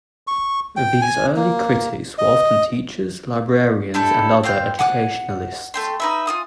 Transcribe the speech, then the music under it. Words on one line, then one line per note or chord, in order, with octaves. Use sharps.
These early critics were often teachers, librarians and other educationalists.
C#6
G5
G#5
A#3
D#5
D4 E4 G4 A4
C4 F5 G5 G6
F#5 G#5 D6 F#6
A3 G5 C6
D#4 B4 E5
F4 G#5 D#6